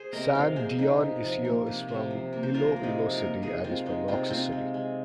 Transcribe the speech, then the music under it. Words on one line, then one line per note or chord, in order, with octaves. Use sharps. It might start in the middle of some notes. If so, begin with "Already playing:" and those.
San Dionisio is from Iloilo City and is from Roxas City.
Already playing: G#4 C5
C3 A#4 D#5
F3 C5 F5
A#3 G#4 C5
C3 D#4 G#4
C3
F3
A#3
C3
C3
F3
A#3
C5
C3 F4 A#4
C3
D#4 G#4
F3
F4 A#4
A#3
C3 D#4 G#4
G#3 C4 F4
G#3 D#4
C3 C4 F4
C3 C4 F4
G#3
G#3